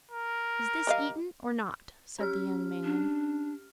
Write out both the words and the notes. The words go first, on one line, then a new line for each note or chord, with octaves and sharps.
"Is this eaten or not?" said the young man.
A#4
G3 D#5 F5
C#4 G4 F6
D4